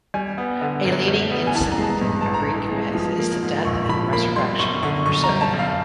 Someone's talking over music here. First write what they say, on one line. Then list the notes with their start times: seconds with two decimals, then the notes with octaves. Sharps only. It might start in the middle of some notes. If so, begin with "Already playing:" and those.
A leading incident in the Greek myth is the death and resurrection of Persephone.
0.14 G3 G#5
0.38 B3
0.61 D3
0.85 F#2
1.08 G3
1.32 B3
1.47 G#5
1.55 E3 A5
1.72 A#5
1.78 G#3 A5
1.90 A#5
2.01 G2
2.08 A#5
2.21 A1 A5
2.34 A#5
2.49 E3
2.72 G#3
2.95 F3
3.19 A#3
3.42 G#2
3.65 A#1 C#6
3.89 F3 B5
4.13 A#3 B5
4.36 G3 C6
4.59 F#2 C#6
4.83 D3 C#6
5.06 F#2 C#6
5.24 A#5
5.29 G3
5.41 A5
5.53 F#2
5.59 F5